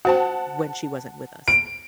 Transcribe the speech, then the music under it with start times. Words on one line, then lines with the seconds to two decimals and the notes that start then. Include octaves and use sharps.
when she wasn't with us,
0.05 F#4 C5 F#5 G5 A5
1.48 D7